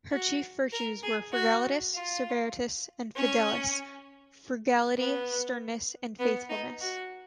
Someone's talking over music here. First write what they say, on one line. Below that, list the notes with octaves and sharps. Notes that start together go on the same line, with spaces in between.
Her chief virtues were "frugalitas, severitas" and "fidelis"-frugality, sternness, and faithfulness.
F#4
A#4
G#4
F#4
F4
C#4
B3
B3
D#4
F#4